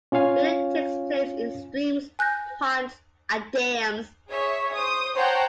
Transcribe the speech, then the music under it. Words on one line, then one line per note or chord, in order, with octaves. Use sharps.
Breeding takes place in streams, ponds and dams.
C#4 F4 C#5 F5 G#5
G#5 F#6 G6 A#6
G#4 C#5 E5
C5 D#6
C5 C#5 F#5 G5 A5 A#5